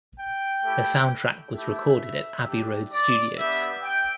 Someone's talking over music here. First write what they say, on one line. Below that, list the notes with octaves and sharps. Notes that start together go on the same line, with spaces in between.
The soundtrack was recorded at Abbey Road Studios.
G5
A3 E4 G4
A3 E4 G4 E5
G3 D4 G4
D5
B3 D4 G4 E5
G5